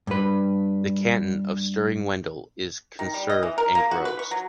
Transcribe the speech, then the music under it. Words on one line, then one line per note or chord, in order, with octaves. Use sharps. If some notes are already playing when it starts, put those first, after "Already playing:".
The canton of Stiring-Wendel is conserved and grows.
G2 B4
D#3
G3
D#5
E3
A#4
A#3
F#4
B4
C#6
F#3